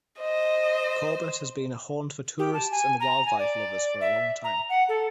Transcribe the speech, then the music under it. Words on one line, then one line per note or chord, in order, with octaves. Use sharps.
Corbett has been a haunt for tourists and wildlife lovers for a long time.
C5 D#5
G4
A5
G#5
A#5
G#5
D5
E5
A#5
F#5
A4